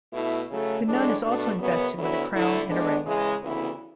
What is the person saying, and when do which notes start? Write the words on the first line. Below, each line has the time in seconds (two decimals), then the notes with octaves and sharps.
The nun is also invested with a crown and a ring.
0.13 B2 A3 E4
0.50 C#3 F#3 A3
0.86 A2 E3 G#3 D4
1.22 B2 A3 D4
1.59 F#2 C#3 F#3 B3
1.96 D2 D3 F#3 B3 E4
2.32 D2 D3 A3 E4
2.68 A2 G#3 B3 D4
3.05 C#3 E3 G#3
3.42 D2 C#3 E3 B3 E4